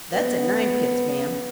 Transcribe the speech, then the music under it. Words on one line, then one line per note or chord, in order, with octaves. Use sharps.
That's a ninepence, ma'am.
B3